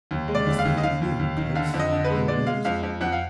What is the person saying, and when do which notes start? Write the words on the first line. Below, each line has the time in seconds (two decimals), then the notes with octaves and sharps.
"I must be getting near the place," he mused.
0.11 D#2
0.28 G#3
0.35 D5
0.47 D#2
0.59 F5
0.65 D#2
0.78 D#5
0.83 D#2 F5
1.02 D#2
1.19 D#2
1.37 D#3
1.55 D3 F5
1.74 F2
1.79 D#5
1.92 D3
2.04 B4
2.10 G#3
2.28 G#3 D5
2.47 G#3 F5
2.65 F2 F5
2.83 F2
3.01 F2 F#5
3.12 F5